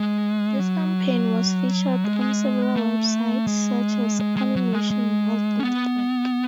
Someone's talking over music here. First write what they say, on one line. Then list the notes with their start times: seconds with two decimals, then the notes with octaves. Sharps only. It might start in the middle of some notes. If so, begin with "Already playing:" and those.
This campaign was featured on several websites such as Animation World Network.
Already playing: G#3
0.59 F#3
2.04 G#3
2.76 A3
3.47 G#3
4.20 G#3
4.37 G#3
4.56 F#3
4.73 G#3
4.91 G#3
5.59 C#4
5.63 B3